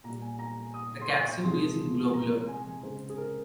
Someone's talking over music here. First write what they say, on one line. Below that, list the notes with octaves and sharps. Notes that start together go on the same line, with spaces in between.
The capsule is globular.
A#2 G3 A#5
G#5
A#5
D#6
C6
C#6
C3 F3 G#3 C6
A#5
G#5
C#3 G#3 C5
G#4
A#4